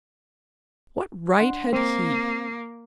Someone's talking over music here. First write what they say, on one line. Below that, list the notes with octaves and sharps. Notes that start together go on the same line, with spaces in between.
What right had he?
D4 F#5 C6
A#3 C4